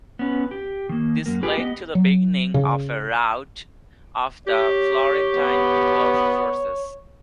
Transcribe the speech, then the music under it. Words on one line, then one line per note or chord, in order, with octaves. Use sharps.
This led to the beginning of a rout of the Florentine-Guelph forces.
B3 C#4 B4
G4
D#3 A#3
F#2 A#3
F4 G4 G#4 B4
B3 G4 D#5
F#3
C#3
G4 C#5
B3